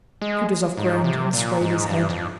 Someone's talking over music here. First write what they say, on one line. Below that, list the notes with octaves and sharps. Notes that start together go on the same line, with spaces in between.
Kutuzov groaned and swayed his head.
G#3
G#2
C3
A#2
G#2
G2
F2